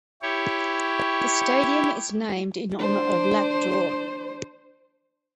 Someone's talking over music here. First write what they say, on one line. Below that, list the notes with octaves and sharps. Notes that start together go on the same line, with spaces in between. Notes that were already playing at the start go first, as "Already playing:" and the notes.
The stadium is named in honour of Lat Jor.
E4 G4 C#5
D4 C5